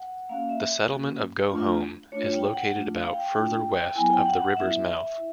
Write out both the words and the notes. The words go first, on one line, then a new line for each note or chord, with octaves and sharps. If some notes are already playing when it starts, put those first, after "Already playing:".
The settlement of Go Home is located about further west of the river's mouth.
Already playing: F#5
A#3 C#4 F#4 F5
E5
A#3 C#4 F#4
A3 D4 F4
A3 D4 F4 C#5
G5
F#5
A3 D4 F4
F5
G5
A3 D4 F4
F#3 B3 E4 G#5
G5
F#5
F#5
F#3 B3 E4 E5
E4